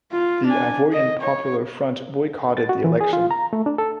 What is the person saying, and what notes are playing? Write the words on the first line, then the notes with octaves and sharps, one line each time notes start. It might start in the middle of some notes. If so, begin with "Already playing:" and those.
The Ivorian Popular Front boycotted the election.
F4
D4 G#5
D#5
C#5
A6
F#4
E3
G#4
F4
A#5
A3
D4
A4